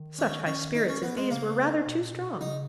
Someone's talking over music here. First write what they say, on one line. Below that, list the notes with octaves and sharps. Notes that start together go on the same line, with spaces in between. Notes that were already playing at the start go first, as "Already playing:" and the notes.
Such high spirits as these were rather too strong.
Already playing: D#3
C#4
C#4
D#4
C#4
B3
G#3
C#3 A#3
B2
A#2
B2
C#3 D#4